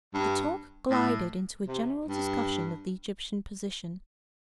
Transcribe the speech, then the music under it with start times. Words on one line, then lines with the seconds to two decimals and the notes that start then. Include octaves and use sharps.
The talk glided into a general discussion of the Egyptian position.
0.14 G2
0.90 A2
1.67 C3
2.05 G2